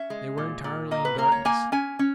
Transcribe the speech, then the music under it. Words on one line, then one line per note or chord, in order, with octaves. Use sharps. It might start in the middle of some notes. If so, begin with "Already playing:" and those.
They were entirely in darkness.
Already playing: C#4 E5
G#3
A#2
A#2
A#3 D#5
B4
A#3 A#4
C#5
A#3 G#5
C#4 G#5
C#4